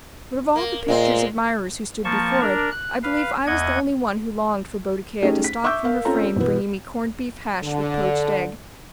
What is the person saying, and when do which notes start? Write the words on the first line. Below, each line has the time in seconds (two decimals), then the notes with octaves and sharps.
But of all the picture's admirers who stood before it, I believe I was the only one who longed for Boadicea to stalk from her frame, bringing me corned-beef hash with poached egg.
0.56 A#3
0.88 A#2 G#3 C4 C5
2.05 F3 A#3 A5 C#6
2.41 D4 A#4
2.72 F#6
3.03 B4 F5
3.47 E2 D#5 F#5 G#6
5.22 A3 C#4 D#4 G4 G#4 D#5
5.44 B6
5.64 E5 C#6 D6 E6 G6
5.84 A#4 F5
6.05 C4 C#4 F4 A4 C#5 A#5
6.36 B2 E3 B3
7.63 D3